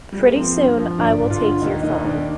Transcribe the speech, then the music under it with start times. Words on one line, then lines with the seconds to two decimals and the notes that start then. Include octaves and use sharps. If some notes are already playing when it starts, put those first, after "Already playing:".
Pretty soon, I will take your phone.
0.12 G3
0.20 G#3
0.27 A#3
0.35 F3 C4
0.56 G2
0.78 F3
0.98 G1 D4
1.20 G1
1.31 F4
1.41 D3
1.62 D#2 D#4
1.83 D#2 D#4
1.98 D#4
2.04 D#2 D4